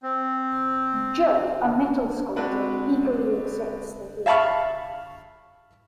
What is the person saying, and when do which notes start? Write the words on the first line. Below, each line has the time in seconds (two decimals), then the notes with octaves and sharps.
Jill, a metal sculptor, eagerly accepts the head.
0.03 C4
1.64 D4
2.36 G#3 C4 D4 F#4 B4
4.26 E5 F5 A5 B5 C#6 F6